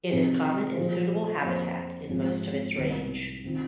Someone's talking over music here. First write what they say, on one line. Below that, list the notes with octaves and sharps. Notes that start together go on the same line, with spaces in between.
It is common in suitable habitat in most of its range.
C3 F3 C4 D#4 G#4
A#2 F3 A#3 G#4 C5
F2 F3 A#3 G#4 C5
G#1 G#2 F3 C4 G#4
C2 C3 D#3 G#3
D#3 C4 F4